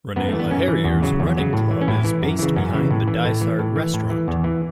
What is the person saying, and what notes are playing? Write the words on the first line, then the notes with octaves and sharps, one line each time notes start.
Ranelagh Harriers running club is based behind the "Dysart" restaurant.
F#2 B3
E3 A3
B3
F#2 C#4
E3
E2
C#3 F#3
E2
C#3 F#3
A2
E3
C#4
A2 E4
E3
F#2
C#3 E3
F#2 C#4
C#3 E3
A2
E3
A2 A3
E3
A2
E3
A2
E3
E2
E3